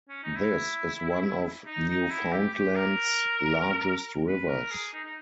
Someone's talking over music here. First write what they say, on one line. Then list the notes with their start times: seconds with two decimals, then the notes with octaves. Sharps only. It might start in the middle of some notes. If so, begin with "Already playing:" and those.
This is one of Newfoundland's largest rivers.
0.09 C#4
0.23 D#4
0.36 E4
1.67 D#4
1.89 D#4
2.11 E4
2.32 G4
2.54 G4
2.76 A#4
4.28 B4
4.49 A#4
4.71 G#4
4.94 D#4
5.05 D#4